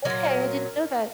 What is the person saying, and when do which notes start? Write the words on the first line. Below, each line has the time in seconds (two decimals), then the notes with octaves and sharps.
Okay, I didn't know that.
0.05 A#2 F#3 A#4